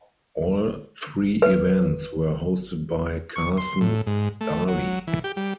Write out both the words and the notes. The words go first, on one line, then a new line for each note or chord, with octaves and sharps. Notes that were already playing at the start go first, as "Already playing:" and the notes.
All three events were hosted by Carson Daly.
B4
C#6
C6
A2
G#2
A3
F#3
E3
G4
G3